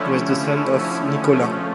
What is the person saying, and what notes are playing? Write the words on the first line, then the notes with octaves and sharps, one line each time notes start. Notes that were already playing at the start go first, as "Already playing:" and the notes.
He was the son of Nikola.
Already playing: D3 F3 A3 C#4 E4
F3 A3 C#4